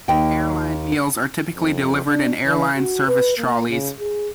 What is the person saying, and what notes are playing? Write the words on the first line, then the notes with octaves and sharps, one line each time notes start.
Airline meals are typically delivered in Airline service trolleys.
D#2 G5
F2
D4
E3
F#4
B4
A#3
C#3
G#4